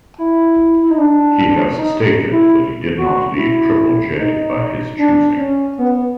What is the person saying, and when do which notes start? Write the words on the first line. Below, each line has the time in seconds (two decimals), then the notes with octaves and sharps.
He has stated that he did not leave Triple J by his choosing.
0.18 E4
0.82 E4
0.91 D#4
0.98 D4
1.78 D#4
2.32 E4
2.98 F#4
3.37 E4
4.18 D#4
4.98 D4
5.38 C#4
5.78 B3
5.96 B3